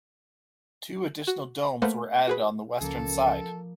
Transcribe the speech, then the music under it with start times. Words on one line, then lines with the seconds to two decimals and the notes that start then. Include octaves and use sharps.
Two additional domes were added on the western side.
1.27 F#4
1.82 A3 A#3 B4 C5 F5 F#5
2.27 F#4 G#4 B4
2.81 C#2 F3 A#3 C#4 A4